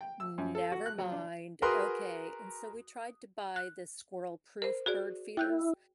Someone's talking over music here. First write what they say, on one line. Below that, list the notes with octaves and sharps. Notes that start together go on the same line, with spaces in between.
never mind. Okay." And so, we tried to buy the squirrel proof bird feeders,
G5
E6
F#2
A4
F#4
F#6
F#3
D4
F#4 G#4 A#4 B4 C6 D#6
F#6
A#4 C5
F#4 G#4 D5
E4 G5 F#6 G6